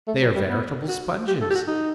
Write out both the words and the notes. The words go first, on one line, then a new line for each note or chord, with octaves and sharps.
They are veritable sponges!
A3
F#3
G3
B3
F#4
G4
A4
G4
F#4
D#4